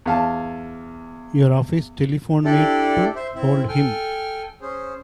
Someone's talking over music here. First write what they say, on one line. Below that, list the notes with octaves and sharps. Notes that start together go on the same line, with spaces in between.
Your office telephoned me to hold him.
E2 F5 A5
D4 E4 G4 A4 D5
C5 E5
C4 E4 E5
A4 G5 G#5 F6
C#4 G#4 C5